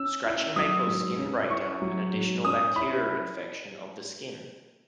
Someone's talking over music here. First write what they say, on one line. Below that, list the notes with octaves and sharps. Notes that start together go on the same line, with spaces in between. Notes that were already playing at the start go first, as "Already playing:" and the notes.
Scratching may cause skin breakdown and an additional bacterial infection of the skin.
Already playing: C#4 E6
E4
F#3 D#6
G#2
C#4
E4 C#6
F#3
G#2
C#4 D#6
E4 B5